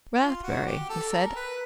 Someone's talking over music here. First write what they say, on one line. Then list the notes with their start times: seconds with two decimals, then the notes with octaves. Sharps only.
"Rathbury!" he said.
0.20 F4
0.43 F#4
0.67 G4
0.89 A4
1.12 A#4
1.36 B4